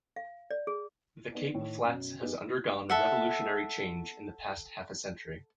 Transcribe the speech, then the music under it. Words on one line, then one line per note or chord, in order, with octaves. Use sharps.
The Cape Flats has undergone revolutionary change in the past half a century.
F5
D5
G#4
B3 D#4 D5
A2 D#3
F#2 B2
B3 D#4 G4 G#4
A4 E5 F#5